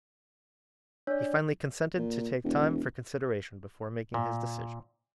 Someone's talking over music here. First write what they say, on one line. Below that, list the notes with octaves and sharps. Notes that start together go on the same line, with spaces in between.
He finally consented to take time for consideration before making his decision.
D4 C#5 D5
A#2
E1
A#2